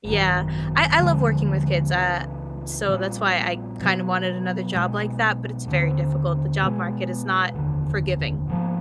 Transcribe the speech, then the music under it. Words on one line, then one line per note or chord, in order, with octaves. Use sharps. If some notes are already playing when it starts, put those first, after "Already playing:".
Yeah, I I love working with kids, uh, so that's why I kinda wanted another job like that, but it's very difficult, the job market is not forgiving,
G#1 F#2 D#3
D#2 D3 F3 G#3
C#2 C#3 E3
A#1 A#2 G3
E2 B2 F#3
B1 B2 G#3
D#2 D3 G3 C4
E2 B2 G#3
F1 D#2 D3
G#2 F3 A#3